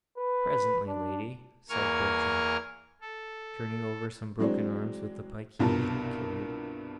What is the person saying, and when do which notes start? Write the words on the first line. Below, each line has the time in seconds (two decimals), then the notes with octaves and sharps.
'Presently, lady,' said Bertrand, turning over some broken arms with the pike he usually carried.
0.18 B4
0.88 D4
1.69 E2 A#3 A#4 G#5 C#6 F6
3.01 A4
4.39 E3 F#3 G#3 C4 D4
5.59 C2 G2 B2 F4 A#4 A5